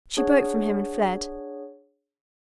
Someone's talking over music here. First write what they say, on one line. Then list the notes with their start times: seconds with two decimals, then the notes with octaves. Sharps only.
She broke from him and fled.
0.17 D4 G#4 C#5 F#5